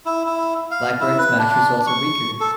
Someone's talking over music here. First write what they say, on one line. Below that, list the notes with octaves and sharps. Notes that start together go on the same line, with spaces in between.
Blackburne's match results are weaker.
E4
E4
F5
E4
B4
D4
C#6
A4